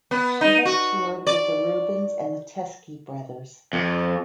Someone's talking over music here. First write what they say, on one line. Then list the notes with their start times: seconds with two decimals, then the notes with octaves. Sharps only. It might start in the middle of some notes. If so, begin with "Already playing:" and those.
She has toured with the Rubens and the Teskey Brothers.
0.11 B3
0.41 D#4
0.65 F#4
1.27 D5
3.73 F2